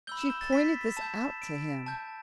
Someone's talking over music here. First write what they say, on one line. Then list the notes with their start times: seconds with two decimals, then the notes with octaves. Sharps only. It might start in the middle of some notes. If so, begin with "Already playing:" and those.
She pointed this out to him.
0.07 B5 E6 G6 G7
0.19 E7
0.30 G6
0.41 A6
0.52 B6
0.97 A5 G6 E7
1.42 D7
1.86 A5 G6